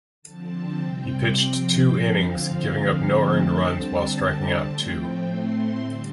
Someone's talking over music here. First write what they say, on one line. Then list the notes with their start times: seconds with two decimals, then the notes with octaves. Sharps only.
He pitched two innings, giving up no earned runs while striking out two.
0.22 D3 F3 C4 A5
0.78 C3 G3 C4 G5
1.34 C3 F3 C4
1.90 D3 F3 C4 F5
2.46 D3 F3 C4 F5
3.02 D3 F3 A3 C4 A5
3.58 D3 G3 C4 A5
4.14 D3 G3 C4
4.70 A2 F3 A3 C4 G5
5.26 A2 A3 C4 C6
5.82 D3 G3 C4 A5